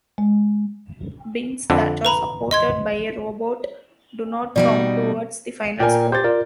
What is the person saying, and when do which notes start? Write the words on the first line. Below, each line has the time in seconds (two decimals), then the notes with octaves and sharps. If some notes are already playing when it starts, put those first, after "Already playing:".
Bins that are supported by a robot do not count towards the final score.
0.18 G#3
1.70 F2 D3
2.05 B4 A#5 B5
2.51 D#5 C6 G#6
4.56 B2 G3 D#4 D5
5.80 A#2 A#4 D5 G5 G#5
6.12 G4 C5 G6 A6
6.24 F4 A#4 D5